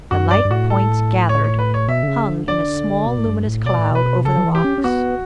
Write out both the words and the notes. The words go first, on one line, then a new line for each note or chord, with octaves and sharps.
The light points gathered, hung in a small luminous cloud over the rocks.
F#2 F#4
G2 D5
G2
A2 F#4
A4
C#5
C#5
B4
C#5
B2 E5
D3
C#3
D3
D3 D5
B2
A2
G2
A2
B2 D5
A2
B2 B4
C#3 A4
F#3
E3
G4
C#4
C#4
B3 F#4